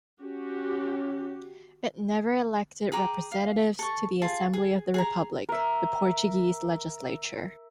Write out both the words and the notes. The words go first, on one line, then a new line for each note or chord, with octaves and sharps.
It never elected representatives to the Assembly of the Republic, the Portuguese legislature.
C#4 F#4 G4
G#4 G5 A#5 D6
F5
A4 C#6
F4 G#4 A5
G#4
G#4 G#5 A#5
A#4 E5